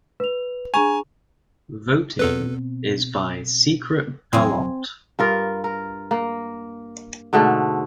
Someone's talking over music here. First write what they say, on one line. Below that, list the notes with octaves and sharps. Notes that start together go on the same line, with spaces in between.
Voting is by secret ballot.
B4 F7
D4 G#4 G#5 A#5 C#6 F7
E2 B2 C4 A4 B4
E1 A2 F#3 C4 G#5
G2 F4 A#4
A#4
A#3
G#2 B2 D3 A3